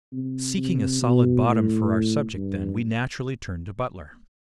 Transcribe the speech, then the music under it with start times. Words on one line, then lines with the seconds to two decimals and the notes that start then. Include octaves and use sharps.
In seeking a solid bottom for our subject, then, we naturally turn to Butler.
0.13 C3
0.57 C3
1.02 B2
1.46 A2
2.36 G2